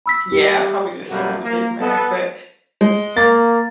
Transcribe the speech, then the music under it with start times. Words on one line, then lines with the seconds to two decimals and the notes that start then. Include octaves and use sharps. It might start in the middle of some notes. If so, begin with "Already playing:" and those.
Yeah, probably just showing the Big Mac, but
0.06 B5 E6 B6
0.32 G4
1.09 F#2 B2 G3 A3 A#3 F#4
1.43 A#3
1.80 B3 A4
2.81 G#3
3.17 A#3 A6